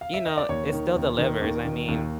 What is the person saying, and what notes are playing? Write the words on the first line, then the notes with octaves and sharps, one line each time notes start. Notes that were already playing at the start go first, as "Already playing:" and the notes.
you know, it still delivers. I mean,
F5
E5
D#5
D5
D#2 C#5
D#3
D#2
D#3
D#2
D#3
D#2